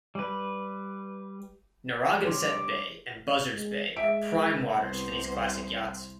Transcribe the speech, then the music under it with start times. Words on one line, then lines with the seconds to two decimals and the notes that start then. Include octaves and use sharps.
Narragansett Bay and Buzzards Bay are prime waters for these classic yachts.
0.15 G3 B4
2.24 G3 D4 B4 C#5 C6 D6
3.55 G#3
3.96 G#3 E5 D7
4.73 C2 B3 C5